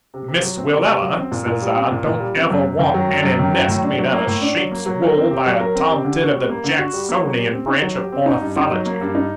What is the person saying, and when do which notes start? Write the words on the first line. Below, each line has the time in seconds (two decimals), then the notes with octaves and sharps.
Miss Willella,' says I, 'don't ever want any nest made out of sheep's wool by a tomtit of the Jacksonian branch of ornithology.
0.14 C3
0.28 C3
0.43 F#3
0.58 C4
0.73 C3
0.87 C3
1.02 F#3
1.18 C4
1.32 A#2
1.46 A#2
1.62 G3
1.76 C4
1.91 A#2
2.06 A#2
2.20 G3
2.36 C4
2.50 F#2
2.65 F#2
2.79 D#3
2.94 F#3
3.09 F#2
3.24 F#2
3.39 D#3
3.54 F#3
3.68 A2
3.83 D4
3.98 F#3
4.13 A#3
4.27 A2
4.42 D4
4.57 F#3
4.72 A#3
4.86 F#3
5.02 A#4
5.17 C4
5.31 G4
5.46 F#3
5.60 A#4
5.75 C4
5.90 G4
6.05 D3
6.20 F#4
6.34 G3
6.50 A#3
6.64 D3
6.79 F#4
6.93 G3
7.09 A#3
7.23 F#3
7.38 G4
7.53 C4
7.68 D#4
7.82 F#3
7.97 G4
8.12 C4
8.26 D#4
8.41 G2
8.56 D#4
8.71 F#3
8.86 A#3
9.01 G2
9.15 D#4